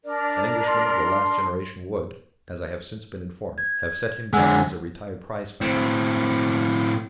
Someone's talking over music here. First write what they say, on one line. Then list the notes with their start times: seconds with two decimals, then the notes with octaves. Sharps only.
An Englishman of the last generation would, as I have since been informed, have set him down as a retired prize-fighter.
0.04 D4 A#4 D5
0.68 C6
3.58 G#6
4.33 D3 G#3 F#5 G#5 E6
5.61 A2 C4